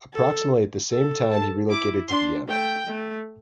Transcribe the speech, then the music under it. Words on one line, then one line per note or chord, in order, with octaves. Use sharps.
Approximately at the same time he relocated to Vienna.
A4
A4
A5
E4 D6
D4 C6
A3 G5
A3